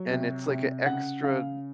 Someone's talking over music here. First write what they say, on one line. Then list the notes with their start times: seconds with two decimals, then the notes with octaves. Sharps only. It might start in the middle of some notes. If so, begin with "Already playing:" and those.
and it's like a extra-
Already playing: F#3
0.11 C3
0.49 C3
0.86 C#3 F#5
1.24 C#3 F5